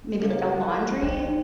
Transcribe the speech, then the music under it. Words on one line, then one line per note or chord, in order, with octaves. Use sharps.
maybe, like, a laundry
C#3 A#3 D#4 F4 G#4
E2 A4 C#6 F#6
A#2 D4 C5 D5 G5